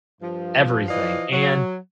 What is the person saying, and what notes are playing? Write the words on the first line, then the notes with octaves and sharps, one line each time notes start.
everything, and
G2 F3
E3 F3 D5 D#5 F5
F#3